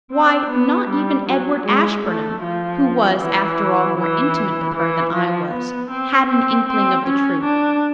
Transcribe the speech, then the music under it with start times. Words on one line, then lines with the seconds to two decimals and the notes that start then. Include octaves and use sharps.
Why, not even Edward Ashburnham, who was, after all more intimate with her than I was, had an inkling of the truth.
0.12 C4
0.51 B3
0.89 G3
1.28 F#3
1.66 G#3
2.05 A3
2.43 F3
3.20 E3
3.98 E3
4.75 E3
5.13 F3
5.52 B3
5.91 C4
6.29 C4
6.68 C4
7.06 C#4
7.44 D4